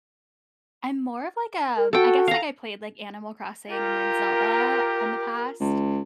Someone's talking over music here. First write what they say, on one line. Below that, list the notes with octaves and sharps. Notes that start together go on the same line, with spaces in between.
I'm more of like, a I guess, like, I played, like, Animal Crossing and, like, Zelda in the past,
A#4
F#4 A4 G5
F5 A#5
F4 G4 A#4 A#5
C#2